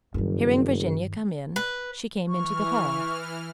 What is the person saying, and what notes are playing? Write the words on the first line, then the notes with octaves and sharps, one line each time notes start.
Hearing Virginia come in, she came into the hall.
F#1 G2 D#3
B4
E3 C#6 F6